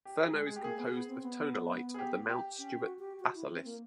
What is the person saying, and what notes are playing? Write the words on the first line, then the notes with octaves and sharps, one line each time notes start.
Fernow is composed of tonalite of the Mount Stuart batholith.
G4
G#4
G#3
G#3 G#4
G4
A#3 G#4
B3
B3
C4
B3
G#4
G4
G4
C#4
F#4
G4
F#4
E4
C4
A#3